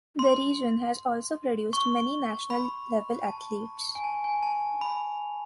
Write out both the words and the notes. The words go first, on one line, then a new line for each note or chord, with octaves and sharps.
The region has also produced many national level athletes.
C6
C#6
B5
A5
G#5
A5
G#5
A5
B5